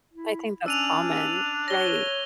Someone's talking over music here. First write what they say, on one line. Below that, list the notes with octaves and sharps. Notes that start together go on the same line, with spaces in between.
I think that's common, right.
E4
C#4 D4 E6 D#7 F7
C#5 A#6 G7